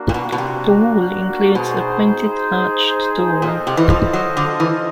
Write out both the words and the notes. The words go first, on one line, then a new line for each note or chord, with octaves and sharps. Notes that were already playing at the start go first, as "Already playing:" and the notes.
The wall includes a pointed arched doorway.
Already playing: A#3 D4 F#4
A#2
B2
B2
C3
B2 D#4 G#4 C5
A#2 F4 A4 C5 D#5
C3
E3
F3
F#3
D3
E3